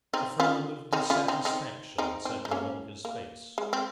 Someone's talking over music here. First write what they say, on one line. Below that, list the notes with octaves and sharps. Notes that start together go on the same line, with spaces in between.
A frown of dissatisfaction settled on his face.
C4 D#4
C#4 F4
C4 D#4
C#4 F4
C4 D#4
C4 D#4
C4 D#4
C4 D#4
D#4
A#3 C#4
A#3
G#3
C4